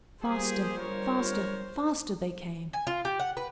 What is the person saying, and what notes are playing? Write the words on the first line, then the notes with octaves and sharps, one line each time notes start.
Faster, faster, faster, they came.
G3 A#3 F4 G4 G#4 C5
G1 A#4 C#5
G#5
F4
G4
F#5
B4